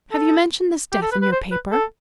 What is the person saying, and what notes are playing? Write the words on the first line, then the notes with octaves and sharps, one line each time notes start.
"Have you mentioned this death in your paper?"
A4
G4
A4
B4
B4
C5
B4
A4